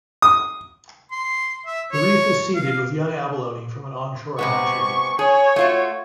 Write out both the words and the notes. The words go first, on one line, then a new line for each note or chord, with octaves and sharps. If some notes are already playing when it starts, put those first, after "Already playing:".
The reef is seeded with young abalone from an onshore hatchery.
D#6
C6
E5
C#5
F5
C3 G#3 B3 C#6
G#4 C#5
A3 F4 F#4